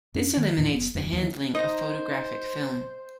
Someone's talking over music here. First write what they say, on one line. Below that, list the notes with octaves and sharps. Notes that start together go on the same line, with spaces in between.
This eliminates the handling of photographic film.
F#2 C#4 D4
D#3
D#2 A2 D#3 E3
F#1 B3
E1 F#2
D#2 E3
D#4 C5 D#5